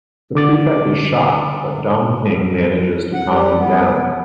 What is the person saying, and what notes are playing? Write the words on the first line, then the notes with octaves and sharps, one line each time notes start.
The prefect is shocked but Dong Ping manages to calm him down.
D3 D6 A6
F#5
G3
B3